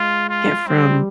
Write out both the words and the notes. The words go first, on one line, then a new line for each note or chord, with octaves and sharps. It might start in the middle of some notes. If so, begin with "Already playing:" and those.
get from
Already playing: G#3 F4
F4
G3 C4